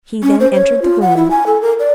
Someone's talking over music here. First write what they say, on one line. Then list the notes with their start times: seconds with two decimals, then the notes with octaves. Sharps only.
He then entered the room.
0.23 C#4
0.40 C5
0.54 C#5
0.82 F4
1.02 F#5
1.17 E4
1.31 G#5
1.46 A4
1.62 A#4
1.79 D5